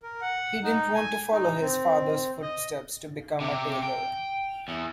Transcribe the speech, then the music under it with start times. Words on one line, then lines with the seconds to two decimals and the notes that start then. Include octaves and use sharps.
He didn't want to follow his fathers footsteps to become a tailor.
0.03 A#4
0.21 F#5
0.63 D#4
0.95 G#5
1.32 D#4
1.61 C4
2.42 D#5
3.40 C3 G4
3.83 G5
4.68 E2